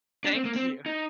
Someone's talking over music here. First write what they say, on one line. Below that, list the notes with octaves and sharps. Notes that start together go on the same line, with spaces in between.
Thank you.
D4
C4
A#3
C4
D#4